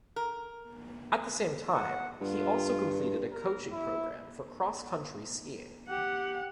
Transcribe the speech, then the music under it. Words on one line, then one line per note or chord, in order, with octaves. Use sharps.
At the same time, he also completed a coaching program for cross-country skiing.
A#4
F#5
G2 F4
A#4
E4
G4 F#5